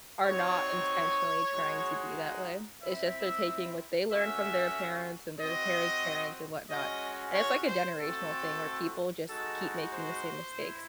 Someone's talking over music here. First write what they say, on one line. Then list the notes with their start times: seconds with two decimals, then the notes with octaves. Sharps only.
are not intentionally trying to be that way. It's just they're taking what they learned from their parents and their parents' parents and whatnot, and it's, like, a generational thing where people just keep making the same mistakes
0.24 C4 D#4 F#4 C#5
1.53 G#3 D#4 F#4
2.82 C4 E4 E5
4.12 A3 C#4 F#4 E5
5.40 C4 F#4 D#5
6.70 G#3 C#4 F#4 D#5
7.35 C#5
7.67 C5
7.99 A3 C4 F#4 A4
9.28 G#3 D#4 F#4 A4
9.93 C5
10.57 E4